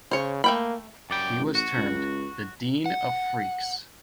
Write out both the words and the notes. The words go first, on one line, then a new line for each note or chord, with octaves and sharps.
He was termed "The Dean of Freaks".
C#3 C5 C#5
A3 A#3 G5 B5
F#2 D5 G5
A1
F#4
C#2
F#5